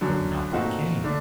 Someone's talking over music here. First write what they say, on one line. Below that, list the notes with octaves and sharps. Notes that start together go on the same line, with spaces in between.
But nothing came.
F#2 D3 F#3
A#2 A3 C4 D#4 F#4
D3 A3 D4